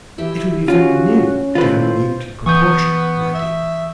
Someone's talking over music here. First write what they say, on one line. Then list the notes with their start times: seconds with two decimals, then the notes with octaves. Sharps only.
It would be very new to have a mute in proportion, my dear.
0.18 E3 E4 G4 E5
0.68 C#4 F4 F#4
1.55 D#3 A3 E4 F4 B4 C5
2.46 E3 B3 C#6 D#6 G6
3.34 E5